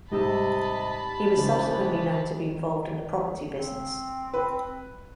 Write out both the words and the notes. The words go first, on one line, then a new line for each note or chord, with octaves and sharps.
He was subsequently known to be involved in the property business.
G#2 C3 G3 D#4 D#5 A5 B5 E6
C#3 E3 F3 D#4
C4
B4